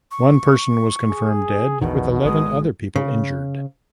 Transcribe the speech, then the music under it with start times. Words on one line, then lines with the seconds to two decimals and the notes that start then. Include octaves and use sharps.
One person was confirmed dead with eleven other people injured.
0.11 C#6
1.10 G#4
1.81 A#1 E2 B2 D#3 F#5
2.25 G#1 D3 G#3 D#6
2.96 C#3